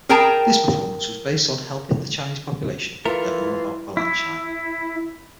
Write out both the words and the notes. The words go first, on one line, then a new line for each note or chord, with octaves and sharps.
This performance was based on helping the Chinese population learn more about Balanchine.
G#4 A#4 G5 A5 A#5
E3 A3 E4 F4 A#4
E4